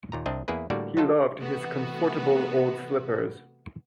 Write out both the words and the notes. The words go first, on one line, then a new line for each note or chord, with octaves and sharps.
He loved his comfortable old slippers.
D#2 A#2 A#5
C2 C4 D4 D#5 E5
E2 A#3 E4 G#4 B4
A2 D3 G3 A#3 F#4 D5
F#3 D#4 F4 A4
C3 E3 A3 B3 F#4 B4